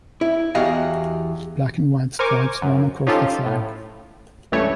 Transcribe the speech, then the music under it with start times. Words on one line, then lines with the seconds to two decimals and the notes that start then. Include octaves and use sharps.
Black and white stripes run across the flag.
0.21 E4
0.55 E2 F#4 G4 D#5 F5
2.19 A#4 C5 G#5 C#6 D6
2.62 F#2
3.07 F3 C#4 D#4 F4 G4 A4
3.46 A2
4.52 C#2 G2 E3 A3 C#5